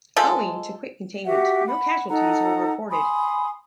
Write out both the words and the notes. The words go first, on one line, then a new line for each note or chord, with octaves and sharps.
Owing to quick containment, no casualties were reported.
F3 G#3 A4
F#4 G4 E5 F#5
F#5 B5
D#4 A4 F#5 A#5
G#5 B5 C6 D#6